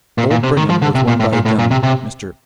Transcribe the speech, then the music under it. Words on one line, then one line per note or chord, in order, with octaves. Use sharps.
Old Brigham was won by a gentleman--Mr.
A#2
A#2
C3
D#3
F3
D3
C3
A#2
A2
A#2
A2
A#2
C3
C3